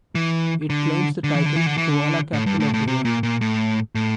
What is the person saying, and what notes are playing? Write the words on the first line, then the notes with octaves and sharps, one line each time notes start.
It claims the title "Koala Capital of World".
E3
D3
D3
E3
D3
E3
D3
E3
D3
A2
G2
A2
A2
C3
A#2
A#2
A2
A2